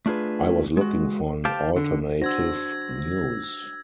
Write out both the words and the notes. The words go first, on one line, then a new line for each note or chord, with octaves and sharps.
I was looking for an alternative news.
A3 D4 F4 G#4 B4
G#3 F#4
G4 C5 F5 G5 A5
D3
D4 F#4 C5 E6 G#6 A#6